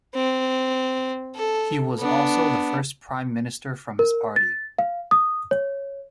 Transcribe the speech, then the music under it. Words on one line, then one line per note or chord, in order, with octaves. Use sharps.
He was also the first prime minister from his party.
C4
A4
B3 D4
A#4
A6
F5
D#6
C#5